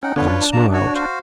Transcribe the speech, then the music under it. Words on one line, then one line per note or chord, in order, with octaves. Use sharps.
Adam smiled.
C#4 D#4 F#5 G5
D3 B3 D4 F4 B4 C#5
D4
A#3 A5 A#5
F#4 C#5
F#4 C5 F5